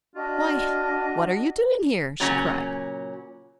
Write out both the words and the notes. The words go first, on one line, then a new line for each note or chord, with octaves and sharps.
"Why, what are you doing here?" she cried.
D4 F4 F#4 D#5
A#2 C#3 F#3 C#4 F#4